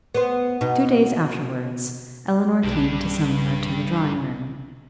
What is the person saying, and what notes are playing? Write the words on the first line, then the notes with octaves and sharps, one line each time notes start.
Two days afterwards, Elinor came to summon her to the drawing-room.
B3 C5
B2 D#4
B1 G2 A3 D4